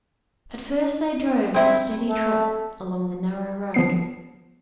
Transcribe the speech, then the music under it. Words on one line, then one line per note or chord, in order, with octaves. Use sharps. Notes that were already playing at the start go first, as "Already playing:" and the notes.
At first they drove at a steady trot along the narrow road.
C4 E4
A3
F3 B3 C7